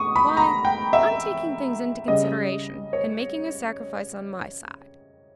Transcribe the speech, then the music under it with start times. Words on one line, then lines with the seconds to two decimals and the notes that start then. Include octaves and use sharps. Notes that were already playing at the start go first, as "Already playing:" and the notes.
Why, I'm taking things into consideration and making a sacrifice on my side.
Already playing: C#6 D#6
0.16 B5
0.37 A#5
0.65 G5
0.93 E5
2.08 C#3 G3 D#5
2.93 C#5